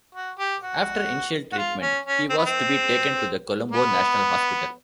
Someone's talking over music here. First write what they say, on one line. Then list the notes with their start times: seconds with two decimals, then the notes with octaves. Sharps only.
After initial treatment, he was to be taken to the Colombo National Hospital.
0.15 F#4
0.39 G4
0.63 F#4
1.52 F#4
1.58 F4
1.82 C#4
2.06 C#4
2.30 C4
2.38 B3
2.46 C4
3.71 B3